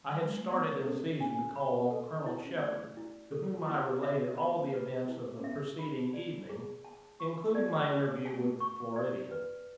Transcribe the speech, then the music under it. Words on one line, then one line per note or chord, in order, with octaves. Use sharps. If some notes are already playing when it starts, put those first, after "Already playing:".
I had started in season to call on Colonel Shepard, to whom I related all the events of the preceding evening, including my interview with the Floridian.
F#3
G#3
A3
B3 D5
C#4 A4
C#4
B3 G#5
B5
A4
E4
C#4
B3
A3 D5
E4
A3 A4
B3 E4
C#4 E5
B3 B5
A3
B3
B4
E4
C#4
B3 E5
B5
D5
G#4
A5
C#6
A3
B3 D5
C#4 G#4
B3 A5
A3
B3
C#6
D5
B4